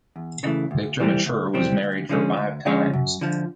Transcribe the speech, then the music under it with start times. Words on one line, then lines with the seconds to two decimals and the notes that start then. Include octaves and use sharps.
Victor Mature was married for five times.
0.16 E2
0.43 C#3 E3 A3
0.71 D2
0.99 C3 E3 G3 C4
1.26 D2
1.54 C3 E3 G3 C4
1.83 D2
2.09 D3 F3 G#3 C#4
2.37 D2
2.65 D3 F3 G#3 C#4
2.93 F#2
3.21 D3 F3